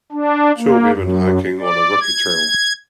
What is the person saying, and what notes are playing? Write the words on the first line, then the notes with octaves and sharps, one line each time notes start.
Two women hiking on a rocky trail.
D4
A#3
F#2
D5
G#6